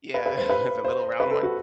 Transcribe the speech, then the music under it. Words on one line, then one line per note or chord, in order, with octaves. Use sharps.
Yeah, the little round one?
B4
B4
C5
B4
C5
B4
A4
F#4